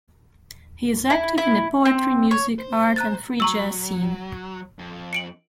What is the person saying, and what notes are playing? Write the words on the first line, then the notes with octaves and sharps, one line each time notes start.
He is active in the poetry, music, art, and free jazz scene.
E4
E4
C4
C#5
C5
A#5 F#6 A6
F#3 A#5 C#6 E6
F2
C#7 D7 F#7